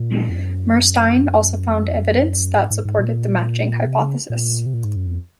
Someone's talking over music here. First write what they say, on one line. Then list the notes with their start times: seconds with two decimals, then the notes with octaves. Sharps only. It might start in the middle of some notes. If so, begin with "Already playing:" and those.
Murstein also found evidence that supported the matching hypothesis.
Already playing: A#2
0.29 F2
0.37 F#2
1.68 F2
1.79 F#2
1.89 F2
2.00 F#2
2.56 G#2
2.70 G#2
2.85 G#2
2.99 A#2
3.86 C3
4.00 C#3
4.30 A#2
4.66 C3
4.74 A#2
4.84 G#2
4.96 F#2
5.07 F2